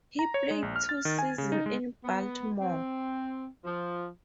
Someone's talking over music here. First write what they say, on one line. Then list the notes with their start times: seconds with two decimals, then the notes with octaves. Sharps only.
He played two seasons in Baltimore.
0.19 A#5
0.34 C#5
0.51 G#3
0.62 A#1
0.76 F6
0.89 A6
1.05 D#3
1.19 G#5
1.38 C#3
1.52 D#4
1.66 G#3
2.04 B3
2.60 C4
3.64 F3